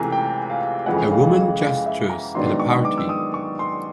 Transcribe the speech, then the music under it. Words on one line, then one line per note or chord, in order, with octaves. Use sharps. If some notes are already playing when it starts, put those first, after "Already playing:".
A woman gestures at a party.
Already playing: C#2 C3 E3 A3 G#5 A#5
G5
F5
F2 C#3 E3 G#3 F#5
F5
F5
F5
E5
A#5
G#2 D#3 F#3 B3 D4 C6
C#6
D6
E6
D#6
C#6
C6